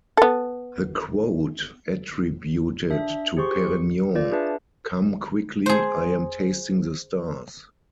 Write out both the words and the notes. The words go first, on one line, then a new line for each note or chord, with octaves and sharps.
The quote attributed to Perignon-Come quickly, I am tasting the stars!
B3 A4
D4 E5
G4 G#4 C5 C6 C#6
C#7
F4 D5
D4 G#4 B4 E5 A5
G#4 C5